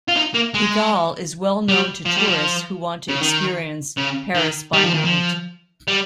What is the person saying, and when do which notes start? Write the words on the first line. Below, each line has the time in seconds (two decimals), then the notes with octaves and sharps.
Pigalle is well known to tourists who want to experience "Paris by night".
0.08 F4
0.17 D#4
0.34 A#3
0.54 G#3
1.68 G3
2.06 F3
2.17 G3
2.27 F3
3.08 C#3
3.21 D#3
3.97 C#3
4.34 D#3
4.73 G3
4.84 F3
4.94 D#3
5.05 F3
5.88 G3